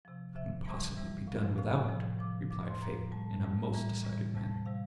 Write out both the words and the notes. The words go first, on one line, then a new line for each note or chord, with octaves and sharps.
'It couldn't possibly be done without,' replied Fagin, in a most decided manner.
C3 F3
C3 F3 E5
C3 E3 G3
C3 E3 G3
A2 F3 F5
A2 F3 F5
C3 F3
C3 F3 D6
A2 F3 D6
C6
A2 F3 A#5
A2 G3 A5
A2 G3 A5
A2 E3 G3 A#5
A2 E3 G3
C3 G3 A5
C3 G3 F5